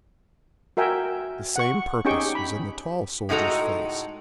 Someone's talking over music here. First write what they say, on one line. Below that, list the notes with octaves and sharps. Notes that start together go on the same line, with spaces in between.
The same purpose was in the tall soldier's face.
F#4 A#4 E5 G5 G#5
F#5 C#6
C#4 D#4 G4 G#4 G5 C#6
B5
A2 G#3 D#4 F#4 A4 A#5